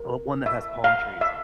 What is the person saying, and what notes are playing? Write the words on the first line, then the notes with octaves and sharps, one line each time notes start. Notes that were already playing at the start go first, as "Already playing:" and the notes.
well, one that has palm trees,
Already playing: A#4
E5
F5
E5